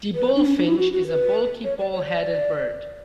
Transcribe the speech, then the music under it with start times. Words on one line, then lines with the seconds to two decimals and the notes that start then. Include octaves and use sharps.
The bullfinch is a bulky bull-headed bird.
0.15 B4
0.36 D4
0.46 C#4
0.57 D4
0.67 E4
0.79 F#4
0.93 F#4
1.07 B4
1.64 C#5
1.78 D5
1.93 C#5
2.06 D5